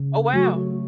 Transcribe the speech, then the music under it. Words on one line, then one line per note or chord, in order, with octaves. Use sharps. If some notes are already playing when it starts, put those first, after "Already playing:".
Oh wow.
Already playing: C#3
F#3 A3 F#4